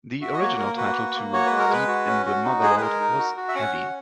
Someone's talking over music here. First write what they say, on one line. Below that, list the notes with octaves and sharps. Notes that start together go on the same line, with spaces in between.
The original title to "Deep in the Motherlode" was "Heavy".
F#4 E5
D#5
A#3 C#5
A#3 A#4
F#4 B4
A#3
A#3
F#4 C#5
B4
G#3
A#4
G#3 B4
F#4
C#4
F#4
D#4
G#3 G#4
B4
G#3 A#4
D#4
F#4
F#4
E5
C#4 F#5
F#4